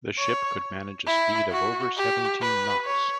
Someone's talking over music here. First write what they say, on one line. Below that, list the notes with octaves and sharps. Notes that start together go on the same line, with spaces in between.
The ship could manage a speed of over seventeen knots.
C#5
E4
F#4
G4
B4
C#5